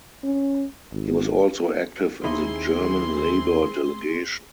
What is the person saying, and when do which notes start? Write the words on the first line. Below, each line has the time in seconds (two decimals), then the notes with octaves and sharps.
He was also active in the German Labour Delegation.
0.23 C#4
0.92 G#1
2.24 D#2 C4 D#4 E4 G#4 C6